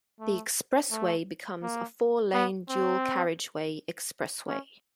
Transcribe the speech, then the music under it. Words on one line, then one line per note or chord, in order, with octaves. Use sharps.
The expressway becomes a four-lane dual-carriageway expressway.
A3
A3
A#3
B3
C4
C#4